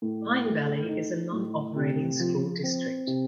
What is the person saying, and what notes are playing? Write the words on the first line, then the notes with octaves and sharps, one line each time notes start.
Pine Valley is a non-operating school district.
A2
A3
D#4
A2
C3
F3
C4
C3